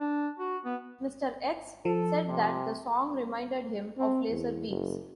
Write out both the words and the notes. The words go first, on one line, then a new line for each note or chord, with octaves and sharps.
Mr. X said that the song reminded him of laser beams.
D4
F#4
B3
F3 A4
C3
C4
E2
F#1